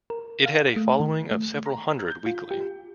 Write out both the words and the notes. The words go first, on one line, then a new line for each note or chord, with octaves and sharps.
It had a following of several Hundred weekly.
A#4
F5
A3
D#3
A3
A#5
G6
F4
G4